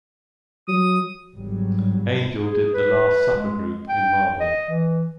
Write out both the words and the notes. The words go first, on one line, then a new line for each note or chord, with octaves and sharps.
Angel did the Last Supper group in marble.
F#3 D#6
G1 G#2 F#3 G3
G#4
B4
G#3
G5
D#5
E3